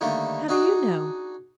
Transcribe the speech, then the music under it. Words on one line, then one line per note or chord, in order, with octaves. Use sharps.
"How do you know?"
D3 D#3 G3 A3 A#3
D4 D#4 F#4 G#4